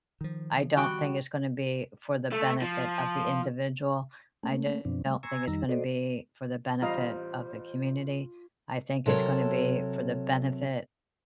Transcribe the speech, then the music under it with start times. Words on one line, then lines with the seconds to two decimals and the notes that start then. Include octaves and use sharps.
I don't think it's gonna be for the benefit of the individual. I do not think it's gonna be for the benefit of the community. I think it's gonna be for the benefit
0.21 D#3 F3
0.77 G3 F#4 G5
2.32 A3
2.62 F3
4.43 A3 A#3 C#4
4.85 F#2 B2 F3 C4 D4
5.06 G3 A3
5.23 G#5 A#5 C6 C#6 E6 G#6
5.47 F2 D#3 G3 D#4 A#5 E6
5.69 F#4 A4 C5 D5 D#5
6.82 A1 G3 F4 C5 D#5 F5 A#5
9.06 C3 F#3 A4 A#4 C#5